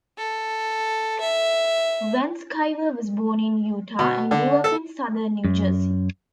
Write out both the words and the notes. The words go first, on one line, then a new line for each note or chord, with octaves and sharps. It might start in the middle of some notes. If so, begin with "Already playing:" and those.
Van Sciver was born in Utah and grew up in southern New Jersey.
A4
E5
B2
D3
A4
F#2